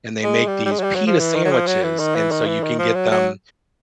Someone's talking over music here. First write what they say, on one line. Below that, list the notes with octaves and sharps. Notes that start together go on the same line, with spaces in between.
and they make these pita sandwiches and so you can get them
G#3
G3
G3
G#3
F#3
G3
F#3
F3
E3
D#3
F#3
F3
F#3
E3
D#3
E3
D#3
E3
D#3
F3
F#3
F#3